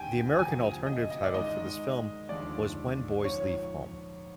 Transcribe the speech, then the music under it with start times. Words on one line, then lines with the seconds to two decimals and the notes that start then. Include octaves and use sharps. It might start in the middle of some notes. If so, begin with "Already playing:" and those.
The American alternative title for this film was When Boys Leave Home.
Already playing: D#2 D3 G3 G5 G#5
0.38 D2 C3 F3 G#5
0.86 D#5
1.10 D#5
1.23 D5
1.34 G#2 D#3 G#3 D#5
2.29 D#2 D3 F3 G#3 D5
3.24 A#1 G#2 F3 C#5